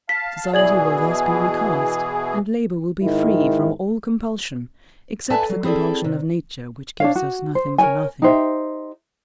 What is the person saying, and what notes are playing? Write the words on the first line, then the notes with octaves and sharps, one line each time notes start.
Society will thus be recast, and labour will be free from all compulsion except the compulsion of Nature, which gives us nothing for nothing.
F5 A5 B6
B2 E3 G#4 D5 G#6 F#7
G#2 D#3 E4
A4 B4 D5 E5 G#5 A5
F#3
C4 E4 G#4 A4 D5
C3
D4 C#5 F5
F#4
C5
A#4 C#5 G#5
D#4 G4 C5 E5